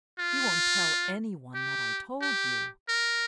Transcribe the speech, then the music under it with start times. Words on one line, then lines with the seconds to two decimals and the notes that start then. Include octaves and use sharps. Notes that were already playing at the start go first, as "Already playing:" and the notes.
"You won't tell any one that I told you?"
0.19 F4
1.54 G4
2.22 G4
2.89 A#4